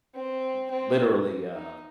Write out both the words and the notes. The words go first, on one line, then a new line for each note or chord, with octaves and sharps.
um, literally, uh
C4
C4
D#4